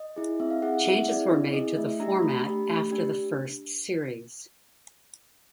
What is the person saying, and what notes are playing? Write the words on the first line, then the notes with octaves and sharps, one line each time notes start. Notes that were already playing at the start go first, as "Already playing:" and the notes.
Changes were made to the format after the first series.
Already playing: D#5
E4 G#4
C4 E5
F5
E4 G#4 F#5
F#5
C4 E5
E4 G#4 D5
C4 D#5
E4 G#4 D#5
A3 E5
D4 G4 A#5
A3 B5
D4 G4
A3
D4 G4